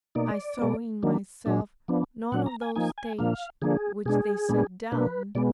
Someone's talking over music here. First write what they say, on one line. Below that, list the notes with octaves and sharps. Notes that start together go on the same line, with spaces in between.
I saw in myself none of those states which they set down.
B2 A#3 D#4 D5
B2 G#3 B3
D#3 F#3 A#3 D4
A#2 F#3 D4
F3 B3 D4
A#2 F#3 D4 F#5
A#5
G#5
F3 A#3 D#4 G#5
G#5
A#2 F3 A#3 D4 F5
D3 F3 A#3 D4 G#4
B2 G#3 D4 G#4
A#2 G#3 B3 D4
B2 A#3 D4 B4
B2 G#3 B3 D5